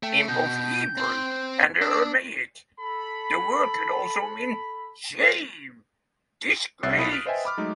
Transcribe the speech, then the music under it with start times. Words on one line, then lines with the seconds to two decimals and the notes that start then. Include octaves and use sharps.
In both Hebrew and Aramaic the word could also mean "shame, disgrace".
0.03 A3 G5
0.28 B2 G6
0.97 C4 C5
1.82 D4 E6
2.79 A4 B5
6.83 C2 C#5 E5 F#6 A6 C7
6.97 B1 E4 B5 D#6
7.12 F6 A6 B6 D7
7.26 B4 C5 D#5 E5 G5 G#5
7.45 B5 D6 F6
7.57 F#3 G#3 A3 D#4